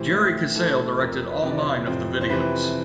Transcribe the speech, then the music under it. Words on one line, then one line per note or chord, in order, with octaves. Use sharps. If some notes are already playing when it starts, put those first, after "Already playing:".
Jerry Casale directed all nine of the videos.
Already playing: A2 E3 G4 C5
A2
E3 A4
F2 A#4
B4
C3 E3
D5
C#5
F2 C5
C5
C3 E3 B4